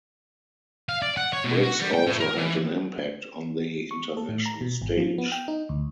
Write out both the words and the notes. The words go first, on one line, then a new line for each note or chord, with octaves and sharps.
Briggs also had an impact on the international stage.
F5
D5
F#5
C#5
B2
F#4
G3
G5
A2
A#4
E3
C#6
A4
A2
A#5
B2
G#1
F3
B3
G5
D#4
D2